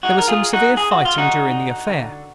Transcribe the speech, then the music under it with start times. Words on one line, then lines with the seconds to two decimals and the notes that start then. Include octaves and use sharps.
There was some severe fighting during the affair.
0.03 G#3 D#4 F#4
0.18 A#4
0.28 F4 G#4
0.41 G#3
0.53 D#4 F#4
0.77 G#3 G#4
0.91 F#4
1.05 F4
1.15 D3 D#4 F#4
1.51 D#4
1.87 D3